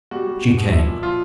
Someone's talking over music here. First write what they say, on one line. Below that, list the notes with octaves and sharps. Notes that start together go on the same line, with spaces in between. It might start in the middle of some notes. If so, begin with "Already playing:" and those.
She came.
G3 F#4
G3
G3
B2
F3 E4
A#2
F3 F4